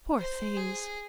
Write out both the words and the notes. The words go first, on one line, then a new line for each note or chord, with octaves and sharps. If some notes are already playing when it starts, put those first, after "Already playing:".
"Poor things!"
C5
G#4